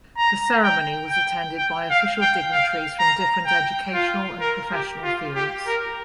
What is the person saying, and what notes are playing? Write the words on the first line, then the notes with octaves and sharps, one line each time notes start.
The ceremony was attended by official dignitaries from different educational and professional fields.
A#5
G5
G5
G5
F5
G5
F5
A#5
G5
F4
A#4
G4
F4
G4
A#4